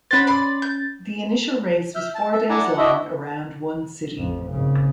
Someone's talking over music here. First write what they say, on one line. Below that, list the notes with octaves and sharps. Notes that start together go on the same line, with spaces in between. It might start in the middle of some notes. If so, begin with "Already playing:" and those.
The initial race was four days long around one city.
C#4 C5 F#5 B5 A6
D5 B5 C6
G6
E5 F6 G6
A5
A4 E5
D4 E4 D5 F#5 G#5 A#5
F#5
D4 E4 F#4 D#5 E5
A1 F2
G#1 C#3